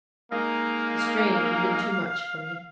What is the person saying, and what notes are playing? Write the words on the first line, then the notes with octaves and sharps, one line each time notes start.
The strain had been too much for me.
G#3 A#3 D#4 A#4 F5